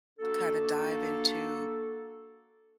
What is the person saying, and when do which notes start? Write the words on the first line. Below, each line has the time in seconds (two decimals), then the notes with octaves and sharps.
kinda dive into,
0.19 A#3 D4 F#4 A4